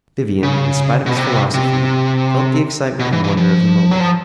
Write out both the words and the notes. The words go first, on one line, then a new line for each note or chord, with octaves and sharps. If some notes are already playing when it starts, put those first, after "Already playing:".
Vivian, in spite of his philosophy, felt the excitement and wonder of the moment.
C#3
B2
C3
C3
B2
E3
E3
F3
F#3
F3